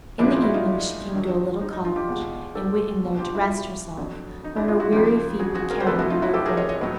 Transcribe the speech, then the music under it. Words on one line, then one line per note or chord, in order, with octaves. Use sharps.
In the evening she came to a little cottage, and went in there to rest herself, for her weary feet would carry her no further.
A#2 F3 G#3 B3 D4 E4
D#4 F4
E4 F#4
D#4 F4
G2 D#3 F#3
D#4
D#4
D#4 F4
F4 G4
E2 B2 G#3
G4 A4
B2 G3 B3
F4 G4
E4 F#4
F2 D3 F#3
D#4
D4 E4
D#4 F4
E4 F#4
F2 C#3 F3 F4 G4
F#4 G#4
F#4 G#4
G#4 A#4
C5
C2 C3 F3 A3 A4 B4
E4 F#4
D#4 F4
E4 F#4
G4 A4
G#4 A#4
C#5 D#5
C#5 D#5
A2 F#3 B3